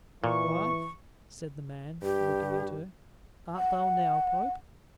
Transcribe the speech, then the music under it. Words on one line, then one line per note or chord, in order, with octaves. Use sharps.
"Wife," said the man, looking at her, "art thou now pope?"
A#2 E3 C#6
G2 G4
F#5